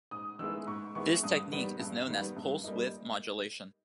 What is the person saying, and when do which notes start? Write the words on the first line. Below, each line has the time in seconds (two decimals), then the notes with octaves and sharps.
This technique is known as pulse-width modulation.
0.11 G#2 D#6
0.39 D#3 G#3 B3 E4 E6
0.67 G#2 C#6
0.95 D#3 G#3 B3 E4 C#6
1.23 G2 D#6
1.52 D#3 G3 B3
1.80 G2
2.08 D#3 G3 B3
2.37 G2
2.64 G3 A#3 D#4